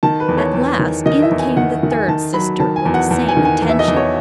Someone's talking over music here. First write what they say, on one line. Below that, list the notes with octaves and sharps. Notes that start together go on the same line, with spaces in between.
At last, in came the third sister with the same intention.
D#3 A5
B4
E2
C#5
E2
D#3
D#3 D#5
E5
E2
G#5
D#3 F#5
D#3
G#5
D#3 A5
F#3 B5
D#3 A5
G#5
E2
F#5
E2
G#5
D#3
G#5
E2
E5
D#5
E2
C#5